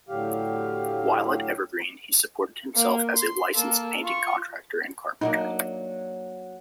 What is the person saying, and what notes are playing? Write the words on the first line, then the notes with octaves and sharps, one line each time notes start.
While at Evergreen, he supported himself as a licensed painting contractor and carpenter.
A2 D3 F#3 G4 F5
A#3
C6
A#3 A4
F4 C#6
F#3 A#3 D4 D#4